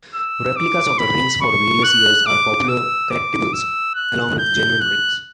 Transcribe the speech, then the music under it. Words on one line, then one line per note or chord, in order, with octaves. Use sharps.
Replicas of the rings for various years are popular collectibles, along with genuine rings.
E6
D6
B5
C#6
F#6
D6
E6
D6
E6
F#6
G6
F#6